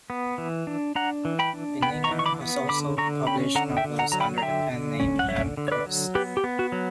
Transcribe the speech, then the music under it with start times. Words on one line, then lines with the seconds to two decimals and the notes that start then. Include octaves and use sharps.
Beninger has also published novels under the pen name Emme Cross.
0.10 B3
0.38 E3
0.67 D4
0.95 D4 F#5 A#5
1.25 E3
1.39 G5 B5
1.53 D4
1.82 B3 G5 B5
2.04 A#5 C#6
2.11 E3
2.19 C#6
2.26 B5 D6
2.41 B3
2.69 D3 B5 D6
2.98 D3 A#5 C#6
3.27 C#4 G5 B5
3.55 D3 F#5 A#5
3.77 E5 G5
3.84 D3
3.99 F#5 A#5
4.12 F#3 A#5
4.20 G5 B5
4.38 A#5
4.42 D3 E5 G5
4.71 D3
5.00 C#4
5.19 F#5
5.28 D3 C#5 E5
5.57 D3
5.68 C#5
5.72 B4 D5
5.86 F#3
6.15 B3 G4 B4
6.37 G4
6.44 B3
6.59 F#4
6.72 F#3